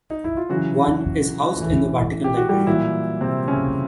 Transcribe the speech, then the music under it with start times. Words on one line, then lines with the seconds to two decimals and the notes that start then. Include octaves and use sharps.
One is housed in the Vatican Library.
0.10 D#4
0.24 E4
0.37 F4
0.49 C#3 E3 F#3 F#4
1.58 A2 E3
2.24 G4
2.37 F#4
2.49 G3 G4
2.67 A#2 E3 F#3 E4
3.21 C3 C4
3.48 C#3 C#4